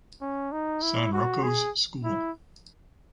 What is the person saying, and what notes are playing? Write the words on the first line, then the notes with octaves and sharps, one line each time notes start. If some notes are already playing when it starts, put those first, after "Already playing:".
San Rocco’s School.
C#4
D#4
E4
F#4
G#4
E4